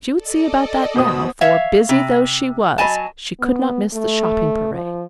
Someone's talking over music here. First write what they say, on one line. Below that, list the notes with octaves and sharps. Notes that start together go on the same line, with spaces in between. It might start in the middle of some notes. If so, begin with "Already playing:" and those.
She would see about that now, for, busy though she was, she could not miss the shopping-parade.
A4 D5 D#5
B2 C5 B5 D#6 E6
C#5 E5 F5
C3
F#3 D#5 G#5 A5
B3
A3
F3